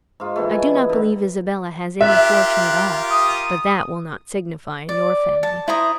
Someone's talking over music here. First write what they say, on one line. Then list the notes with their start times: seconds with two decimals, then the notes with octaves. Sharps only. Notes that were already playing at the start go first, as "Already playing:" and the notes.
I do not believe Isabella has any fortune at all: but that will not signify in your family.
0.20 G#2 F4
0.36 D#3 E3 A3
0.51 G#5
0.74 B3
0.89 D3 D#3
2.01 F4 G4 A#4 E5 F#6
3.10 D#6
4.89 D5
5.43 A5
5.68 E4 C5 A#5 D#6